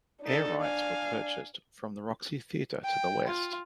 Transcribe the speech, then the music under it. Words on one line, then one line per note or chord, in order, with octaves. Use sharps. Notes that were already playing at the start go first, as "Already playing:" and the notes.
Air rights were purchased from the Roxy Theatre to the west.
D4 D#4 A4
F5 G#5
G5
F4